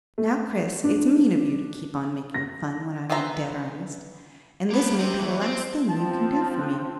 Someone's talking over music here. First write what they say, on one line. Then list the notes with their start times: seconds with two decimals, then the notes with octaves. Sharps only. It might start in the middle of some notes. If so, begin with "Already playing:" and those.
"Now, Chris, it's mean of you to keep on making fun when I'm in dead earnest; and this may be the last thing you can do for me."
0.18 A3
0.84 D4
2.34 A#6
3.10 E3 B3 C5 E5 A#5
4.71 A#3 B4
4.99 C4 G4
5.19 E2 E3
5.41 C4
5.89 F3 C4 A5
6.55 D4